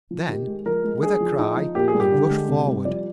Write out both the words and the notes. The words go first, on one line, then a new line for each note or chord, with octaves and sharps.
Then, with a cry, he rushed forward.
F3
D#3 G4
G#3
F3 A#4
G#3
D4 G#4
F3
D#4
F3
A#2 G4
G#4
G3
G4
D3
G#3
C3
G3
F3 D5